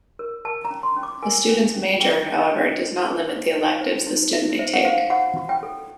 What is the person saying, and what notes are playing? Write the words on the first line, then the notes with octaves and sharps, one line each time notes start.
A student's major, however, does not limit the electives the student may take.
A#4
A#4 A5
A#5
C#4
C6
C#4
D6
A#4 G#5
C#4
C#4
G#4 G5
D#4
D#5
D#4
C5
G#4
C5
D#4
C5
D#4
D#4 E5
C5 E5
F#5
C5 F5
F#4 F#5
F#4
G5
A4